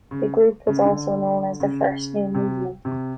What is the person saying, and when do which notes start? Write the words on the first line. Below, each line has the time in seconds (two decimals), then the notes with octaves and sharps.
The group was also known as the First New Movement.
0.11 C#3
0.67 C#3
0.85 D3
1.60 C#3
2.34 C3
2.85 C3